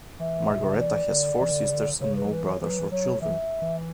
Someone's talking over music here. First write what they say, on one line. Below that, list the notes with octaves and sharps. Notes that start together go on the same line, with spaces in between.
Margareta has four sisters and no brothers or children.
E3 E5
A2
B2
C#3
D3
E3 D5
D3
E3
D3
C#3
D3
C#3 C#5
B4
F#3
E3 B4
C#5
E3 B4
F#3
E3
F#3 C#5
E3 E5
E3